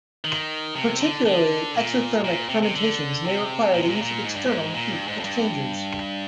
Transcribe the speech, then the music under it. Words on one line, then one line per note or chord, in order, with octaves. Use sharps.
Particularly exothermic fermentations may require the use of external heat exchangers.
D#3
C3
D3
D3
A#2
A#2
C3
C3
D3
C3
A#2
C3
A#2
C3
A#2
G#2
G2
G#2
A#2
G2
G#2
F2
G2